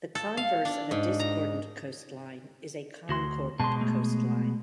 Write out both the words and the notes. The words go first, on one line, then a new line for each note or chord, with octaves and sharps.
The converse of a discordant coastline is a concordant coastline.
A4
F5
D4
G#2
A#5
D2 F#4 C6
B2 G#3 A5 C6
A3